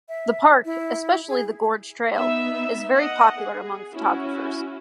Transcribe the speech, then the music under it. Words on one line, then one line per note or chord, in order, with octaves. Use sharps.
The park, especially the Gorge Trail, is very popular among photographers.
E5
E4
G#4
B3 D#4 E5
D#5 F#5
G#4
C#4 E4 F#4